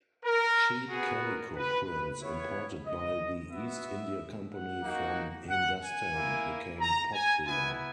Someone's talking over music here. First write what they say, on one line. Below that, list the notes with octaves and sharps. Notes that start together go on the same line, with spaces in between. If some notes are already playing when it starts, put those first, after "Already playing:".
Cheap calico prints, imported by the East India Company from "Hindustan", became popular.
A#4
B3 F#4 G#4
A#4
B4
B4
B3 E4 C#5
D#5
B3 F#4 E5
F#5
A#3 D#4 F#4
F#5
G#5
A#3 E4
A#5
G#5
B3 E4 G#5